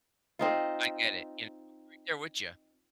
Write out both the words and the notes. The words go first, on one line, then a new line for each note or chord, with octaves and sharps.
I get it, you know? I'm right there with ya,
C4 D#4 F4